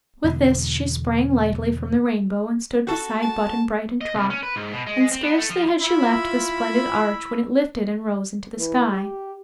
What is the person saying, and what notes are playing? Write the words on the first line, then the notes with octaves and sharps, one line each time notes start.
With this she sprang lightly from the rainbow and stood beside Button-Bright and Trot, and scarcely had she left the splendid arch when it lifted and rose into the sky.
E2 B2 D3
F#4 A4
A5
D#5
C2
C#4
B4
G#2
B2
G#3
C4
B3
A3
F3
E4 F4 E5 B5
E3
G4